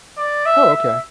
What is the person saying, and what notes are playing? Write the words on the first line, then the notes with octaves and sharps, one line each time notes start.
Oh, okay.
D5
E5
E5